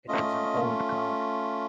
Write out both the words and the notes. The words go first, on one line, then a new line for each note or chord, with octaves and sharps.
It was an old car.
A3 C#4 F4 D#5